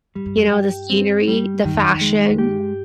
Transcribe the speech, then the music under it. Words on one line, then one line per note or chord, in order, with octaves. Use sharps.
you know, the scenery, the fashion.
G#2 G3
G2
F2
G2
G4
C4
G3
G2 D#3
F2
F2
G#3
F2
G2 G4